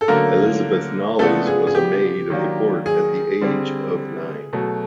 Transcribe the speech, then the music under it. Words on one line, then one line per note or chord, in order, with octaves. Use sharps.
Elizabeth Knollys was a maid of the court at the age of nine.
A4
D3 F#3 A3 A#3 C#4 A#4
C#3 F3 G#3 A3 B3 D4 A4
G#4
G#4
G4
D#3 F#3 A#3 D4
G#4
D3 G3 C4
B2 F#3 A3